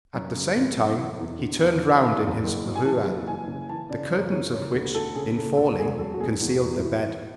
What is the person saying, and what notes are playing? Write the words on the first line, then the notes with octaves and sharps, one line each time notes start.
At the same time he turned round in his ruelle, the curtains of which, in falling, concealed the bed.
F#2
C#3
G#1
F#2
E3
E2
D3
E2
D3
D3
E2
F#1
F#3
G#5
E3 A5
F#1
E3 G#5
C#3
E3 A5
C#3 D5
F#2 C#5
E3 C#5
C#3 C#5
D2
D2 A4
C#3 G#4
C#3 A4
D2 A4
E1 G#4
F#3 A4
F#4
E1 G#4
E2
F#4
E2
F#4
E4
E3
E3